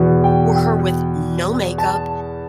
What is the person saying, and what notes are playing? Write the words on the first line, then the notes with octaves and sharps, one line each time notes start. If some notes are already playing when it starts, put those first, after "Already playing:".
were her with no makeup,
Already playing: E2 B2
G5
G5
A5